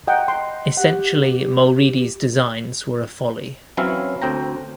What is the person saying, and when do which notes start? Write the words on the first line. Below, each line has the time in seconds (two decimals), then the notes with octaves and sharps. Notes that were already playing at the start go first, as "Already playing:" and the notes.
Essentially Mulready's designs were a folly.
0.08 D#5 F#5 G5 A#5
0.28 D#5 C6
0.77 G4 F#5
3.77 E3 F#3 C4 C#4 E4 F5
4.22 D2 C4 G5 A#5